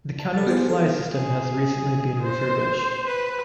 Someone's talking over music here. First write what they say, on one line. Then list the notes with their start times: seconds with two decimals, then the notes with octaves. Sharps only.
The counterweight fly system has recently been refurbished.
0.19 A5
0.34 A4 A6
0.47 B3 F#4 G#4 C5
0.69 A4
1.12 G#4
2.22 C5
3.07 B4